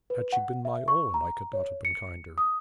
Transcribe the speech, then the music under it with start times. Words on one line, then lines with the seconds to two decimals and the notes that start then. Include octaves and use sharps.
Had she been my own, I could not have been kinder.
0.10 B4
0.32 F#5
0.65 E5
0.88 C#6
1.14 A#5
1.53 C#5
1.85 C#7
2.38 D#6